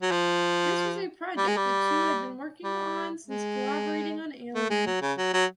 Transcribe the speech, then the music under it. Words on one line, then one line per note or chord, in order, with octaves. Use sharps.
This was a project the two had been working on since collaborating on "Alien".
F#3
F3
G3
G#3
G3
G3
G#3
A3
G#3
F#3
C#3
F#3
F#3